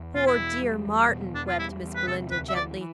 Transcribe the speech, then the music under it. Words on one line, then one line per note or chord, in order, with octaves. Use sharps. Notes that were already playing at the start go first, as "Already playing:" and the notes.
"Poor, dear Martin!" wept Miss Belinda gently.
Already playing: E2
B2 F4
E4
E2
G3
E2
B2
E2 D4
F4
G3 E4
E2
B4
C3 A4
D2 B4
E5
E3 D5